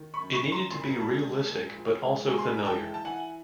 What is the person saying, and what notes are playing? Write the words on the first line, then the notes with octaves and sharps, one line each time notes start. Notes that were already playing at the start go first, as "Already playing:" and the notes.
It needed to be realistic but also familiar.
Already playing: D#3
B5 C#6
F#2
B5 C#6
F#2
A#5 C6
A#2 C6
B5
A#5
G#3 A5 B5
G#3
A#2
F3
G#3
G#3 G#5 A#5
C6
B5
G#3 A#5
G5 A5
E3
A5
E3 F#5 G#5